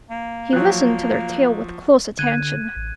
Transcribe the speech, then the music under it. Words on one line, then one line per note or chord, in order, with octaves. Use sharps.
He listened to their tale with close attention.
A#3
F3 F#3 F#6
D3 F#6 G#6 D#7
A1